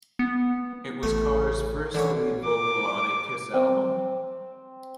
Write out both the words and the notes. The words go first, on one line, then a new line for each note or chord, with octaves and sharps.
It was Carr's first lead vocal on a Kiss album.
B3
A1 A3
D3 E3 C#4
D6
C4